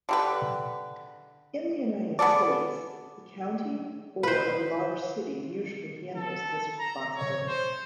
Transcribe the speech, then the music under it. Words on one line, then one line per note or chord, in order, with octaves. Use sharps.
In the United States, the county or a large city usually handles this responsibility.
D3 G4 B4
B3 G#4 A4 D5
B4 C5
A4
A#5
C#5
C5